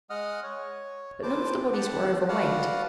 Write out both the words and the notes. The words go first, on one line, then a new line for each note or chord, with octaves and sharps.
But none of the bodies were overweight.
G#3 D#5 F#5 D#6 F6
C#5
C4 B4 C5 A5 D6
G4 F#5 A5
F#4 B4 D5 F5 F#5 A5